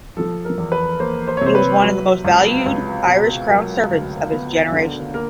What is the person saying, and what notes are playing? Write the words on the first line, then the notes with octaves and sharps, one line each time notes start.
He was one of the most valued Irish Crown servants of his generation.
F3 A4
A#4
E2
B4
A#3 C5
C5
C#5
C3
C5
B4
F#3
C#2
C#2
B2
F#3 A#4
D2
B3
D3
A#3 A#4